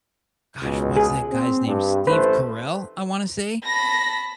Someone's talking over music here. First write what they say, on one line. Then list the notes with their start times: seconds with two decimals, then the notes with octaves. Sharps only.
gosh, what's that guy's name? Steve Carell, I wanna say?
0.63 C#2 B2
0.96 G#4
1.32 C4
1.67 G2
2.07 A1 A3 B4 C5
3.65 A5 B5 A#6